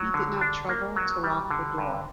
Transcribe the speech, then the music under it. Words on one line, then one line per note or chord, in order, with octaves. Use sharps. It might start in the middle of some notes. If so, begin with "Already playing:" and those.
He did not trouble to lock the door.
Already playing: F#3
D3
D4
A#3
F#3
G3
D3
G2